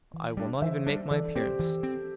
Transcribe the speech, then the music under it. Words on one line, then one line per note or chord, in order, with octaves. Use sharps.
"I will not even make my appearance."
E3
G3 D4
E3 C5 E5
G3 D4
E3 A4 D5
C4 G4 C5
E3
C4